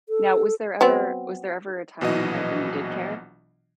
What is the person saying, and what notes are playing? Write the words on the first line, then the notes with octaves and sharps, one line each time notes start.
Now, was there ever was there ever a time in your life when you did care?
A4
F#3 B3 C4
A#1 B2 E3 F#3 D#5